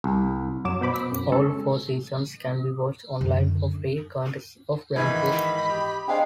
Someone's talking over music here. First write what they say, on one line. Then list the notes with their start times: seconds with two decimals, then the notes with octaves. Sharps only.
All four seasons can be watched online for free, courtesy of Brainpool.
0.04 C2
0.65 F#2 F#3 D6 E7
0.81 B2 C5 B5 D6
1.12 F#2
1.32 G#3 C#4 A4
3.21 F#2 D3
4.96 G#2 D#3 E3 D#5 B5 G#6
5.69 G4
6.08 C4 D4 G#4 D#5 F5 G5